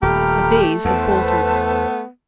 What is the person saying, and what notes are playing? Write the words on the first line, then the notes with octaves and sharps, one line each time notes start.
The bays had bolted.
D#1 A3 G4 A#5 B5 F6
E2 B3 B4 C5 A5